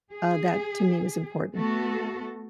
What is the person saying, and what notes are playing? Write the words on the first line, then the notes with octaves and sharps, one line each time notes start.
uh, that to me was important.
G#4
A3 B3 F#4 A4